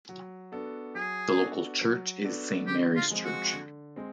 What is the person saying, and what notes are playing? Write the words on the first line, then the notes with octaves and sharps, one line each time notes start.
The local church is Saint Mary's Church.
F#3
B3 D4 F#4 A4
F#3 G#4
B3 D4 F#4 A4
F#3
B3 D4 F#4 A4
D3 G4
F4
F3 G#3 C4
F#4
D3
G#3 C4